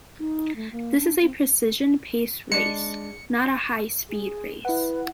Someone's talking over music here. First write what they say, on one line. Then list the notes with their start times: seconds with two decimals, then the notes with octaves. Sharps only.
This is a precision pace race, not a high speed race.
0.20 D#4
0.56 A3
0.72 A#3
0.99 D4
1.22 C4
2.52 G#3 D4 C#7
4.09 G#4
4.65 E4 B4 F#5